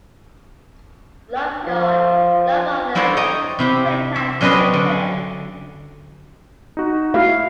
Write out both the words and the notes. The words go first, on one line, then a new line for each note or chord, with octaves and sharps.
Love God, Love Others, Take Time to Listen.
F3
D4 E4 A4 C5 C#5 A#5
C#5 D#5 G5 A#5
C3 E4 G4
E5
F#3 C#4 D4 B4 D#5 C6
D3
D#4 F#4
A3 E4 F#4 F5